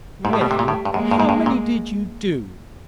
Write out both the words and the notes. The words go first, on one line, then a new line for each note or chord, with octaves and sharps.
"Well, how many did you do?"
G#2 G3 A3
A2
B2
C3
A#2
A2
G2
F#2 G#3 A#3
G2
G#2
G2
A#2